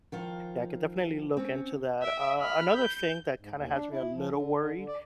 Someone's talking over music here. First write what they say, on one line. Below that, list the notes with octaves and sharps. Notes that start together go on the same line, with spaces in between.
Yeah, I could definitely look into that. Uh, another thing that kinda has me a little worried
D#3 F3 F4
C4 C#4
E5 D7
B5 F6
G6
G#2
D#2
D4
E4
F3
D3
D3
D3
D5